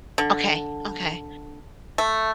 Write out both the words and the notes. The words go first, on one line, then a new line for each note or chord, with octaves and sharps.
Okay, okay.
D3
A3